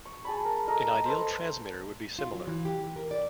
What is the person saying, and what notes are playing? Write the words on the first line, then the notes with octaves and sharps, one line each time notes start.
An ideal transmitter would be similar.
C#6
G#4 A5 B5
A#4
A4 A#4 D#5
A4 B4 C5
F4
F#3
E3
G4
A#4
D5